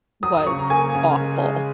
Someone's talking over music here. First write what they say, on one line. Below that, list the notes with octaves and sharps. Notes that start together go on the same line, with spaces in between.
was awful,"
F#3 D#6
D#6
C#3 C#6
A#5
A#3 G#5
C#3
G#3
G#3